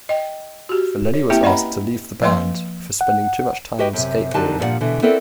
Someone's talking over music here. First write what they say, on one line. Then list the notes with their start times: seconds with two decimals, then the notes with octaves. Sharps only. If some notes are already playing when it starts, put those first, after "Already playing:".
Vallely was asked to leave the band for spending too much time on skateboarding.
0.09 D#5 G5
0.69 F#4 G4
1.14 C#5
1.30 A#3 C4 E4 G4 E5 G5
1.43 C#4 B4 D#5 F#5 A#5 B5
2.22 F3 A#3 B4 F5 C6
3.01 F#5
3.79 F#4 G4 B4 D#5 G5
3.93 F#2 A2 C3
4.34 D3 F#3 D#4 G4 A#4 A5
4.59 G2 A#2 F3 A#4 D5 F#5
4.81 B2 D3 E3
5.02 B3 C4 E4 A4 A#4 D5